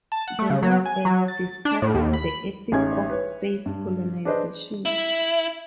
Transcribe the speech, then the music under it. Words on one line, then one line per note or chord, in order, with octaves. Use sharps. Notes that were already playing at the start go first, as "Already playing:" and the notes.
The novel discusses the ethics of space colonization.
A5
F#5
A3
C#3
F#3
G#5
F#3
A6
D4
A2
D#2
B5
A1 C#4 D#4 G#4 G#5 G#6
B4 C#5
G2
D4 G#4 B4 C5 D#5
E4